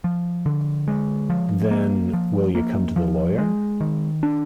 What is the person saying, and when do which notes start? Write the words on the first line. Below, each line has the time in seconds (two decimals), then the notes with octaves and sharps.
Then, will you come to the lawyer?
0.04 F3
0.46 D3
0.88 G#3
1.30 F3
1.71 A#3
2.13 F3
2.55 A#3
2.96 F3
3.38 G#3
3.80 D#3
4.23 D4